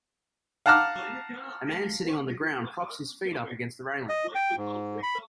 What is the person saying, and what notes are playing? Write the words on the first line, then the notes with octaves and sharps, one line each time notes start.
A man sitting on the ground props his feet up against the railing.
F5 F#5 A5 A#5 D6 F6
D#5
G5
G#2
B5